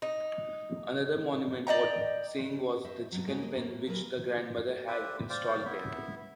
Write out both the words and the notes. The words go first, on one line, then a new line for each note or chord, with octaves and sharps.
Another monument wort seeing was the chicken pen which the grandmother had installed there.
D#4
D5 D#5 G5 A#5
C5 D#5 E5
G2 F#3
G#3 A3 C4 E4 F#4
A#3 D#5
A2 A#3
D2 A#2 F#3 D4 A#4 B4
G4 B4 C5 E5
C5 D5 F5 G5
B3 E4 E5